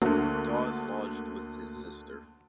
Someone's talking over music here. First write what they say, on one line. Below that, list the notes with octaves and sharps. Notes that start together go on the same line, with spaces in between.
Dawes lodged with his sister.
D2 D3 A#3 F#4 A#4